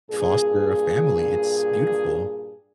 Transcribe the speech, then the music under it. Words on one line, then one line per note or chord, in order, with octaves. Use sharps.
foster a family, it's beautiful.
G2 A#2 G#4